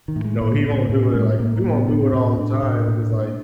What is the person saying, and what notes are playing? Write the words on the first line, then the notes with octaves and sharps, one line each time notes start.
you know, he won't do it, like we won't do it all the time, 'cause, like,
D#3
A2
G#3
A2 A#3
B3
A2
C4
A2 C#4
C#4
A2 G#3
A#3
A2 A#3
A#3
A2
B3
A2 B3
C4
A2 C4
C#4
A2 D4
A2
A#2
A#2